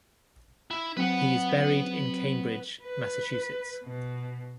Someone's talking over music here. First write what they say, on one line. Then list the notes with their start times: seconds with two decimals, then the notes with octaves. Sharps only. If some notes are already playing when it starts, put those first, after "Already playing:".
He is buried in Cambridge, Massachusetts.
0.71 E4
0.97 F#3 C4 B4 F#5
2.83 B4
3.84 B2